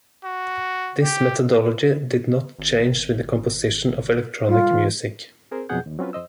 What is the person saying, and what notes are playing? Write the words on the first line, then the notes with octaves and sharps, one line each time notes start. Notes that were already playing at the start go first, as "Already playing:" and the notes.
This methodology did not change with the composition of electronic music.
F#4
G4
G#1
G3 F4
E3
C4 G#4 A#4 C5
F2 B2 F#3 G#4 F#5 G6
D#2
F#3 C4 C#4 F4 B4
F2 C5 D#5 E6